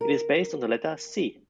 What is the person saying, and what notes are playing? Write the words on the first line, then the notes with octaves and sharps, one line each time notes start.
It is based on the letter "c".
A#4